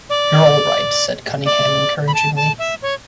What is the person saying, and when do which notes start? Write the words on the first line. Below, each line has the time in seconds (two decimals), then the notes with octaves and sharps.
"You're all right," said Cunningham encouragingly.
0.10 D5
1.45 D5
2.07 B5
2.14 A5
2.36 A5
2.59 E5
2.82 C#5